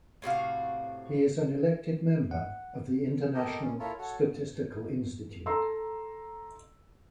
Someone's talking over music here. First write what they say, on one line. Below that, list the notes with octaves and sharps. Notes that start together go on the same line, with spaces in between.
He is an elected member of the International Statistical Institute.
A2 C3 F#4 F5
F#5
G4 A4 A#4 D#5
C#4
E4 F4 A4 A#4 C#5
F#4 A4 C#5
A4 A#5 C6 E6